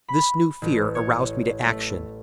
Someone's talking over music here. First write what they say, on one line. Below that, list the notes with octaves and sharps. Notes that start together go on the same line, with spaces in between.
This new fear aroused me to action.
B5
A1
C#5
A3